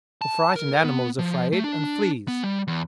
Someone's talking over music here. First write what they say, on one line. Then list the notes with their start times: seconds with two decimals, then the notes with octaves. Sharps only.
The frightened animal is afraid and flees.
0.22 A5
0.56 A#4
0.85 B3
1.19 F3
1.52 A3
1.64 D4
2.28 B3
2.43 G3
2.68 E2